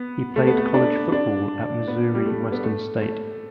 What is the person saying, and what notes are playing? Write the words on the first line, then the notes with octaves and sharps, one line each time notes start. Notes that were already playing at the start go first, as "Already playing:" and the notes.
He played college football at Missouri Western State.
Already playing: B3
A3
B3
A3
D4
D4
B3
G3
A3
B3
A3
A3